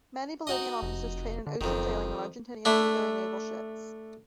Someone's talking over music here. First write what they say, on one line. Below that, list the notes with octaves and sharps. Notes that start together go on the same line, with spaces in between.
Many Bolivian officers train in ocean sailing on Argentinian seagoing naval ships.
D#4 F#4 D#5
F1
D3
F#1 F2 D#3
A3 D4 E4